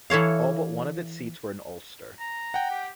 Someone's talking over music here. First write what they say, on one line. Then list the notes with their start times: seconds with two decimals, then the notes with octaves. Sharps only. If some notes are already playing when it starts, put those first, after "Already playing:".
All but one of its seats were in Ulster.
0.10 E3 A4 C#5 F5
2.20 A#5
2.54 F#5 G5
2.71 G4